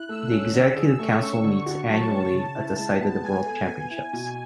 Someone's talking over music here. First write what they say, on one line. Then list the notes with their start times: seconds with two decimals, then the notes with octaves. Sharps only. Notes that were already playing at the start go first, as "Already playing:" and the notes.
The Executive Council meets annually at the site of the World Championships.
Already playing: E4 F#6
0.09 A3 E6
0.31 C#4
0.54 D3
0.76 G#4
0.98 A3 C#6
1.21 C#4
1.44 D3
1.66 F#4
1.88 F#3 A5
2.11 C#4
2.33 C#3
2.56 E4
2.79 G#3
3.01 B3
3.23 G#3 G#5
3.46 A4
3.68 B3 G#5
3.90 E4
4.13 B2